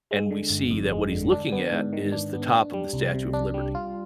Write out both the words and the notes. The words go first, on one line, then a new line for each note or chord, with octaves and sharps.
and we see that what he's looking at is the top of the Statue of Liberty.
G#3
D3
G1
F2
G#3
D3
D4
B3
G#2
D#3
D4
B3
D4
G3
C2
C3
D4
G3
F4